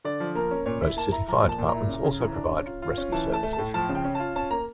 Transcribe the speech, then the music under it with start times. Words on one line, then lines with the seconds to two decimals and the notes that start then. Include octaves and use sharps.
Most city fire departments also provide rescue services.
0.04 D3 D5
0.20 F3
0.35 A#3 A#4
0.51 C#4
0.66 A#2 C#5
0.82 E4 E5
0.97 A#3 A5
1.12 E4 A#5
1.28 F3 A#5
1.43 A#2
1.49 A5
1.59 A#2
1.69 A#5
1.74 E4
1.89 C#3
2.04 C#3
2.20 E3
2.35 D4
2.51 C#4
2.67 F4
2.82 F4
2.98 C#4
3.12 E3 A5
3.28 A3
3.33 A5
3.43 A3
3.53 A5
3.58 A2
3.74 F3 A5
3.89 C#3
3.95 G5
4.05 C#4
4.15 F4 A5
4.36 C#4 A5
4.51 A#3 A#5